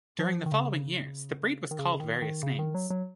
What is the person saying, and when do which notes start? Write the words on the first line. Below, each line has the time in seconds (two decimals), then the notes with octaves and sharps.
During the following years the breed was called various names.
0.19 F3
0.46 D#3
0.52 C#3
1.71 D#3
1.79 C#3
2.00 D#3
2.22 D#3
2.43 C#3
2.59 D#3
2.75 F#3
2.90 F#3